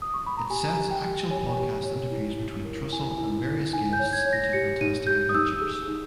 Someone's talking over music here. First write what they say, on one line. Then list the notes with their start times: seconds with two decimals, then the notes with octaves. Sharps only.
It sets actual podcast interviews between Trussell and various guests into fantastic adventures.
0.02 D#6
0.14 C#6
0.26 B5
0.37 A#5
0.50 G4 G#5
0.76 G4
0.91 G5
1.04 G4
1.30 C#5 G#5
1.58 G4
1.85 C#5
2.11 E4
2.38 E4
2.65 A#4
2.92 E4 G#5
3.18 E4
3.45 E4
3.73 D#4 G#5
3.93 G6
3.99 C#5
4.13 G#6
4.26 C#5
4.33 A#6
4.53 G4 C#7
4.81 D#4 D#7
5.07 G4 G6
5.29 D#6
5.35 D#4 E6
5.62 G#4
5.88 D#4